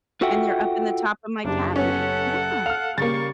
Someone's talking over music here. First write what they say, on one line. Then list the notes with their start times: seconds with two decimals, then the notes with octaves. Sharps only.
and they're up in the top of my cabinet, yeah
0.21 F4 F#4 A4 E5 F#5 G5
1.45 F#1 D4 G4
1.76 B3 C#4 A4 F#5
2.66 F5 F6 F7
2.98 C#3 G3 A#3 G#4 C#6 A6